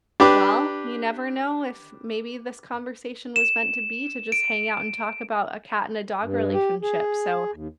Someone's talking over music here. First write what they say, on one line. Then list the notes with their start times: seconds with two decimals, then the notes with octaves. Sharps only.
Well, you never know if maybe this conversation was meant to be to just hang out and talk about a cat and a dog relationship, so
0.20 D4 G4 B4 D6
3.36 E7
4.32 D7
6.22 G2
6.54 G4
6.83 G#4
7.53 D#2